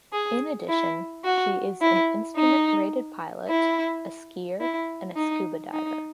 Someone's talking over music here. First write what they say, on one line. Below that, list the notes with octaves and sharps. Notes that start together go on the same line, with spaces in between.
In addition, she is an instrument-rated pilot, a skier, and a scuba diver.
G#4
E4
F#4
E4
D#4
E4
E4
D#4
D#4